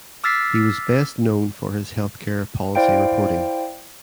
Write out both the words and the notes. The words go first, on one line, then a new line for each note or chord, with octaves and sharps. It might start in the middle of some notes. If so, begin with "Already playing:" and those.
He was best known for his health care policy reporting.
D6 E6 F6 A6 B6 C7
E4 C5 D5 F5 G5 D7